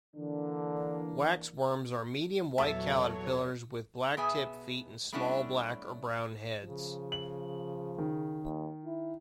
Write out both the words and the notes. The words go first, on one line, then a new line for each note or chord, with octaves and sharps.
Waxworms are medium-white caterpillars with black-tipped feet and small, black or brown heads.
D3 E3 A#3 D4
E2 A#2 F#3 A4 C#5 E5 A5
B2 B3 G#4 E5 G#5
G3 A3 B3 C#4 D4 E4
C#3 F3
F#7
D#3
D#2
E4